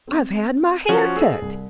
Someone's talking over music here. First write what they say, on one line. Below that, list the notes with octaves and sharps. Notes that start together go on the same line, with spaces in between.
I've had my hair cut.
C4
F3 C#4 F4 F#4
G#4 A4
C2